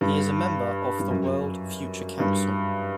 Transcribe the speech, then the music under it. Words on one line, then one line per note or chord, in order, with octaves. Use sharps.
He is a member of the World Future Council.
G2
G2
F#2
G2